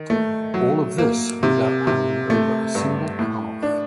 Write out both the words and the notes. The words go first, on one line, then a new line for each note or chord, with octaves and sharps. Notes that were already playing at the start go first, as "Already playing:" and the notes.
All of this, without handing over a single calf.
Already playing: D#3
A3
F#3
A#3
C3
C3
A3
G2
A2
D4